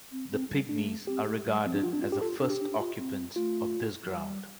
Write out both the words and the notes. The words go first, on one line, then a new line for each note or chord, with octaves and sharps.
The Pygmies are regarded as the first occupants of this ground.
C4
C4
G3
A3 D4
C4 G4
A3
G3
F3 C4
D4
F3 F4
C4 D4
F4
D4 G4
F4 A4
D4 A4
G4
D4
D4
F4
C4
A3 F4
F3
G3